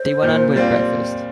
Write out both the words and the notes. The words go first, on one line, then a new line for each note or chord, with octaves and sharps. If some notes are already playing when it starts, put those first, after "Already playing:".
They went on with breakfast.
Already playing: C5
A#2
G3 C4 F4